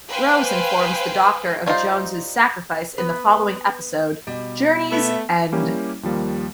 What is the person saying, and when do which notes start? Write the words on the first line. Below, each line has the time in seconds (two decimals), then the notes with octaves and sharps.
Rose informs the Doctor of Jones' sacrifice in the following episode, "Journey's End".
0.11 B4 C5 F5 G5 G#5
1.66 G3 C#4 D#4 F4 C5
2.98 B3 B4
4.27 B2 G3
4.91 A3 B3 E5
5.52 G3 A#3 C#4 E4 G4
6.03 D#2 F3 G3 A#3